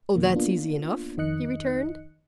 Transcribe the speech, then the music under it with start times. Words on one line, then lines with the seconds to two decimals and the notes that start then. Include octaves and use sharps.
"Oh! that's easy enough," he returned.
0.15 F2 B2 D#3 F3 A#3
0.35 A#3 B3 D4 F4
1.17 F2 D#3 D#4 D#5 F#6 C#7